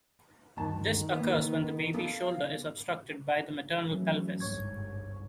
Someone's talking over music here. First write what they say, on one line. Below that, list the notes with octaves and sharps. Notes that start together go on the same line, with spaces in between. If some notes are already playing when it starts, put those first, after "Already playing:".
This occurs when the baby's shoulder is obstructed by the maternal pelvis.
D2 G2 D#3 A5
A#3 B3
B3 A4 F5
E3 F#3 A3 C#4
G1 C2 G#2 C#5 C#6 G#6